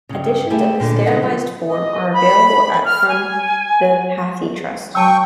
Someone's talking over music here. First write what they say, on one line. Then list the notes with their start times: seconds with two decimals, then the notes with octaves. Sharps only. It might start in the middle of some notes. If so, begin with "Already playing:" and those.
Editions of the serialized form are available at from the Hathi Trust.
0.09 G2 C#3
0.50 A3 E4 G4 G#4 G#5
0.80 A#2 D3
1.06 C#3 G#3 D#4 A4 F#5
1.22 D3 F3 F#3
1.67 D#5
2.13 B5
2.86 F6
3.08 G#5
4.95 F#3 G5 A5 C#6 E6